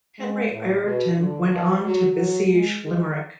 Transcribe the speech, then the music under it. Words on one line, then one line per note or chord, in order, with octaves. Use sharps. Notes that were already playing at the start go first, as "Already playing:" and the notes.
Henry Ireton, went on to besiege Limerick.
G#3
A2
B2
D3
F3
F#3
F#3
G#3
G#3